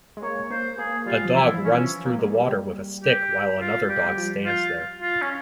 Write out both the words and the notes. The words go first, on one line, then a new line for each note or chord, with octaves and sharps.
A dog runs through the water with a stick while another dog stands there.
G#3
A#3 C#5
A#3 C5
A#3 G#4
G3 F4
F3
E3 E4
F3
E3 C#4
F3
A#3
G#3
G3
G3
G4
F4
G3 G4
G3
F3
F4
F4
C#4